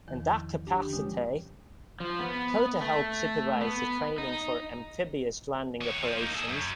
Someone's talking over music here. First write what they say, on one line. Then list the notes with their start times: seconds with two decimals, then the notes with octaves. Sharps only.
In that capacity, Cota helped supervise the training for amphibious landing operations.
0.08 E2 D#3 F3
0.67 D4 G4
0.80 D3
0.93 B2 F3 G3 G#3 C#4
2.00 F3
2.19 B3
2.81 A3
3.61 B3
4.18 D#4
5.81 D#3 C#5
6.03 F3
6.17 A#3 D#4
6.35 G#4 A4
6.48 F#2